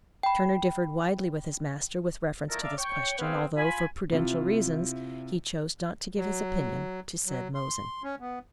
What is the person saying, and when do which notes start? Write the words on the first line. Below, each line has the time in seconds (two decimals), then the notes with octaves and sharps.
Turner differed widely with his master with reference to this question, although, for prudential reasons, he chose not to give his opinion to said Mosen.
0.23 G5 B5
2.50 A#2 D#3 A#3 E4 A4 A#4
2.62 D5 E5 F5 A5 A#5 D6
2.78 C#5 G5 C#6
3.19 B3 C4 G#4 B4 C#5 F5
3.57 F4 G#5 B5
4.12 C3 E4 F4
6.17 F#3
7.26 F#3
7.54 C6
8.04 C#4
8.20 B3